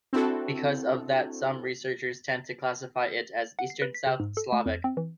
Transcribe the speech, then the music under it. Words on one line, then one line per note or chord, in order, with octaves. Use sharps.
Because of that some researchers tend to classify it as Eastern South Slavic.
C4 D4 E4 F#4 A4
F#5
C7
B4
B6
C#3
G#2
A4
A3
F2
C4
E3